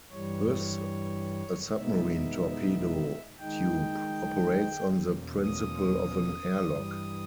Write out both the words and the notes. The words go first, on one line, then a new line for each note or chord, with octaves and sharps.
Thus a submarine torpedo tube operates on the principle of an airlock.
G2 E3 G3 C#5
B2 G#3 B3 D#4 E5
D#3 G#3 D#4 G5
E2 B2 A#3 C#4
D#6
G2 E3 G3